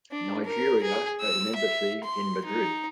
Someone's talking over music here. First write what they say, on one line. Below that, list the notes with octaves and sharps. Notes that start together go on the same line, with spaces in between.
Nigeria has an embassy in Madrid.
D4
A#4
G#4
E6
E5
C6
D#4